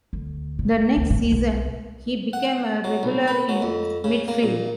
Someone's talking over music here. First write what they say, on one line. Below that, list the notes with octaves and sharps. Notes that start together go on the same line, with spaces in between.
The next season, he became a regular in midfield.
D2
B2
D2
A2
B1
F#5
F#3
B1
B4
F#3
F2
C#3
A#3
A#2